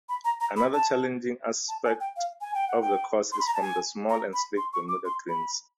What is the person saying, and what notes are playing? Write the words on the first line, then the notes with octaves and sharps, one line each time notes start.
Another challenging aspect of the course is from the small and slick Bermuda greens.
B5
A#5
A#5
B5
A5
A5
G#5
G5
F5
G#5
G5
F#5
G5
C6
B5
A#5
A5
G#5
A#5
B5
C6
C#6
D6
C6
B5